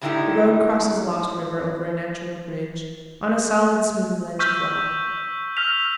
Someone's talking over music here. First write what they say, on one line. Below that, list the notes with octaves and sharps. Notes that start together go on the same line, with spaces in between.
The road crosses Lost River over a natural bridge, on a solid, smooth ledge of rock.
A2 D3 G#3 D#4 E4 G4
C#6 E6 F6 G6 B6
E6 F6 A#6 B6 F7